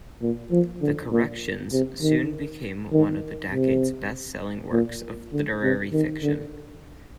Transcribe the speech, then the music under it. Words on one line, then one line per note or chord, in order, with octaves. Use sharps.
"The Corrections" soon became one of the decade's best-selling works of literary fiction.
A#2
F3
D3
A#2
C3
D#3
D#3
C3
A#2
D3
C3
D#3
D3